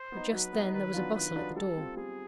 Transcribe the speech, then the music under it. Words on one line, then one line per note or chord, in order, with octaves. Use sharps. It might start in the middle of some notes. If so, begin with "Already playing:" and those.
But just then there was a bustle at the door.
Already playing: C5
B3 D#4
F#3 B4
B3
D#4
D#3 B4
F#3 B3 D4 F4
D#3 B4
F#3 B3 D4 F4
G3 A4
C4 F4
G3 G#4